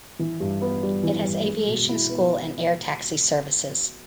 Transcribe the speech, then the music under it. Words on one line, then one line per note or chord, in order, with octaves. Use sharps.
It has aviation school and air taxi services.
E3
G2
B3
G3
E3
G2
G#3
B2
E4
B3